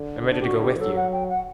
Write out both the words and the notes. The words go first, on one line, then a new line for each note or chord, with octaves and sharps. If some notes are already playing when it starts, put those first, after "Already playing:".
"I'm ready to go with you."
Already playing: D3
D4
G4
F#4
G4
F#3 A4
F#5
G5
F#5